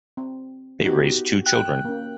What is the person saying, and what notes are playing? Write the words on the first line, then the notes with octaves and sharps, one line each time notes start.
They raised two children.
C4
B3 D#4 F#4 G4
G5 F#6
A#3 C#4